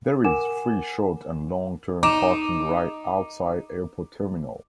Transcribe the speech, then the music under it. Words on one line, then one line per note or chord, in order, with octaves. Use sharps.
There is free short and long term parking right outside airport terminal.
A#4 F#5 G#5 D6 E7
D#4 D6 E7